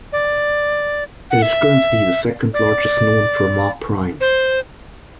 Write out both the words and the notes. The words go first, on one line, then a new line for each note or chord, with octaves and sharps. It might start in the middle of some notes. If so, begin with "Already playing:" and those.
It is currently the second largest known Fermat prime.
D5
F#5
E5
D5
C5